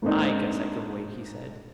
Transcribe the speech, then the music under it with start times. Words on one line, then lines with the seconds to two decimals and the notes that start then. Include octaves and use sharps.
"I guess I can wait," he said.
0.02 G#2 A3 A#3 C4 D4 D#4